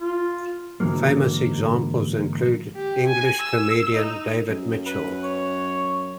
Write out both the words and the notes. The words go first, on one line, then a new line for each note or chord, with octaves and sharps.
Famous examples include English comedian David Mitchell.
F4
G#2 D3 E3 F#3 A#3
G4
G#5
E6
D#4
F#2
B4
C#5